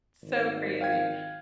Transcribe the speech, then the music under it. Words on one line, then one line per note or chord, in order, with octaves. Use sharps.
It's so crazy.
G#1
F5 G5 G#6